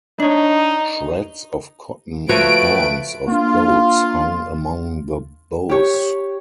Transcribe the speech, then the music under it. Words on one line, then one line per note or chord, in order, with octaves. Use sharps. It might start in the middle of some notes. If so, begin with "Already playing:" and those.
Shreds of cotton and horns of goats hung among the boughs.
D4 D#4 C#5
F3 A3 F#4 B4 C#5 D7
A#3 D4 F4
G4 C#5